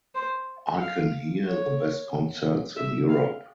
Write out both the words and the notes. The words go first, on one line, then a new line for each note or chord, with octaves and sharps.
I can hear the best concerts in Europe.
C5
F5
C#5
E5
F5